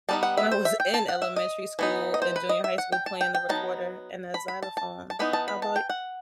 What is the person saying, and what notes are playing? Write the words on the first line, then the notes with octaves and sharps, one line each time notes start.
when I was in elementary school and junior high school playing the recorder and the xylophone. How about
G3 B3 D#4 A5
F#5
E5
C5
E5
G5
A5
F#5
E5
D#5
E3 B3 D#4
D#5
C5
B4
D#5
E5
F#5
G5
A5
G5
G5
F#3 B3 D#4 A5
B5
B5
A5
A5
A5
E3 B3 D#4 B5
A5
B5
A5
G5
F#5